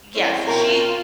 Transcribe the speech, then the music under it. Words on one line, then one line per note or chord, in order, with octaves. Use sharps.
Yeah, so, she
C4 C#4 E4 C6
B2 F4 A#4 G5 A#5